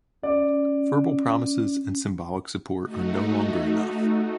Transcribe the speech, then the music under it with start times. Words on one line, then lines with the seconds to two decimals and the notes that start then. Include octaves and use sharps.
Verbal promises and symbolic support are no longer enough.
0.23 C#4 D5
2.83 A3 D#4 F#4